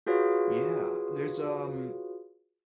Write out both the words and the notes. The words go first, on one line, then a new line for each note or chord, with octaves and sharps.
Yeah, there's, um,
F4 F#4 G#4 B4 C#5 F5